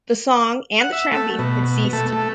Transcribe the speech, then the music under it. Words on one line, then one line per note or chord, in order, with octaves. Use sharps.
The song and the tramping had ceased.
F#5
E5
A3
B2
B2
A3
A3